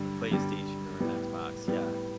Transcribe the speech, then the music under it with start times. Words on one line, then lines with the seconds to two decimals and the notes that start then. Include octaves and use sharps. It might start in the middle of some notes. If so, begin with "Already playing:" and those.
A PlayStation or an Xbox, yeah.
Already playing: G2 D3 G3
0.32 G2 D3 G3
0.99 A2 G3 B3
1.68 A2 G3 B3